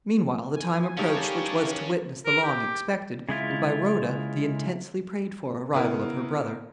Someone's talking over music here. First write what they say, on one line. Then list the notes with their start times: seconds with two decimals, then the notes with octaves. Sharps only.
Meanwhile the time approached which was to witness the long expected, and, by Rhoda, the intensely prayed for arrival of her brother.
0.56 G#5
0.97 G3 C#4 D#4 G4 A#4 F5 A5 C#6
2.26 A#4
2.43 G4
3.29 C#3 G#3 E4 F4
5.73 C#3 B3 E4 A#4